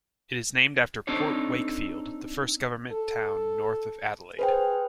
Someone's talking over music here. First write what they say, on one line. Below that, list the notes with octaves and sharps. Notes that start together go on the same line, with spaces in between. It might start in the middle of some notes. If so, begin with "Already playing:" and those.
It is named after Port Wakefield, the first government town north of Adelaide.
C4 D4 D#4 A4 C5 C#5
A4
G#4 B4 C5 G5